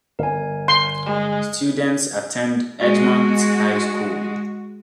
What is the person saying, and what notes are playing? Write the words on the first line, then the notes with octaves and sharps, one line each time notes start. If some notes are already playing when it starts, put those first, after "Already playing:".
Students attend Edgemont High School.
G1 A#4 G#5
C6
G#3
G#3 F#4